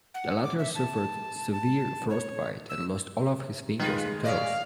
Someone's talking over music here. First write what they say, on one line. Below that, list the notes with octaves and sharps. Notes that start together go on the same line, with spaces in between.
The latter suffered severe frostbite and lost all of his fingers and toes.
F#5
D6
E5
A5
A5
C#5
E6
D#3 G#3 F4 B4
C#4 D5 D#5 F5